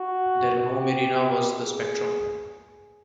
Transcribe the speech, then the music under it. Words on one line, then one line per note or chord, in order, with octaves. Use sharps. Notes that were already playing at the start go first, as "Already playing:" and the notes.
Their home arena was the Spectrum.
Already playing: F#4
G4
G#4